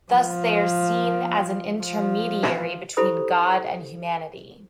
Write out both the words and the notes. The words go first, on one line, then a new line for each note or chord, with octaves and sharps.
Thus they are seen as an intermediary between God and humanity.
F3
F3
E4 G4 A4 C5 B5 D#6